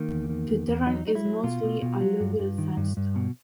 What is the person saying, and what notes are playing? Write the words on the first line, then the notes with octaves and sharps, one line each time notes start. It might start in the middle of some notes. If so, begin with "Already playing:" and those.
The terrain is mostly alluvial sandstone.
Already playing: D#3 A#3
E2
D#3
E2
E2
F#3 D#4
F#3 D#4
E4
F#3
B2 F4
B2
B2
F#3
G2
G2
D#3
G2
G2
B2